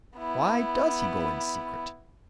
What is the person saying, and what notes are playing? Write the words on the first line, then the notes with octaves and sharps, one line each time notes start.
Why does he go in secret?
B3 E4